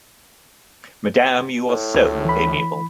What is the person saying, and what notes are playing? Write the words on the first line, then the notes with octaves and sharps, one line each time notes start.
Madame, you are so amiable!
A2
D2
E3 B5